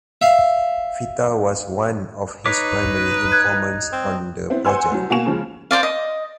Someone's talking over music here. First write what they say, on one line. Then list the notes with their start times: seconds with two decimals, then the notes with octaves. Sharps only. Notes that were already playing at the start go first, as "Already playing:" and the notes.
Fita was one of his primary informants on the project.
0.22 E5 F5
2.46 D#4 B4 C#5 D6 B6
3.32 F#6 G#6
3.92 C4
4.50 B3 C4 E4
4.65 B4 C5 F#5 G#5 C6 E6
4.92 C2 F#3
5.10 B2 A#3 F#4 G#5 C#6 E7
5.26 C#3 F3 G#3
5.71 C5 D5 F5
5.83 D#5